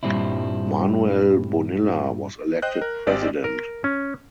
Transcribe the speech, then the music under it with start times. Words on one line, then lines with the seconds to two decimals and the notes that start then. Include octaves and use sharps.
Manuel Bonilla was elected president.
0.03 G2 A#2 G3 C4 D4 E4
2.62 C5 D#5 G5 F#6
2.82 A#4
3.07 G#1 C4 G4 D5 D#5
3.44 A#4
3.84 C#4